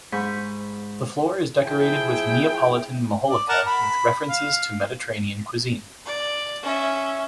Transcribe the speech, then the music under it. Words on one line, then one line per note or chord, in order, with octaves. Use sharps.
The floor is decorated with Neapolitan majolica with references to Mediterranean cuisine.
G#2 G#5 B5 C#6 G6
F3 E4 G#4 G5
D5
A#4 F#5 A5
B5
F5
D5
C#4 E5